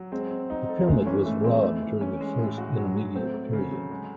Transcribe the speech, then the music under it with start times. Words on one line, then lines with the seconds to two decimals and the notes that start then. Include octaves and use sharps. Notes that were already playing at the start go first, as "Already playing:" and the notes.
The pyramid was robbed during the First Intermediate Period.
Already playing: F#3
0.12 G#3 C4
0.31 C4
0.50 D#4
0.69 A4
0.87 G#3 A3
1.06 E3 C#4
1.26 E3 A3
1.44 G#3 C4
1.63 E3 A3
1.82 E3
2.01 C#4
2.21 G#3
2.39 A2
2.58 F#4
2.77 F#3
2.96 F#3
3.15 A3 C4
3.34 A3
3.53 C#3
3.71 F#3
3.91 G#3